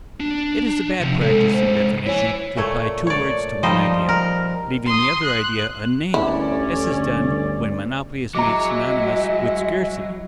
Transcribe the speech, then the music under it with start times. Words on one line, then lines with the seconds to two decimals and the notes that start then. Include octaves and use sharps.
It is a bad practice in definition to apply two words to one idea, leaving the other idea unnamed, as is done when monopoly is made synonymous with scarcity.
0.20 D4
1.01 C3 F3
1.22 C3 G#3 A4
1.53 C5
2.07 E4 C#5 G#5
2.56 A#2 A3 C#5
3.07 C#5 D5
3.63 F3 G3 D#4 C5 D#5
4.09 A#4
4.86 C6 D#6
5.23 F#6
6.14 G1 D2 C#4 E4 D5
8.35 F#3 G#3 E4 D#5 A#5 D6